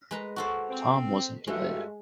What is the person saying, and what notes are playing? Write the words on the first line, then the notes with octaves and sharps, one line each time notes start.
Tom wasn't delayed.
G#3 B4 A#5
F#4 A4 C5
C4
G2 G#3 A3 F#4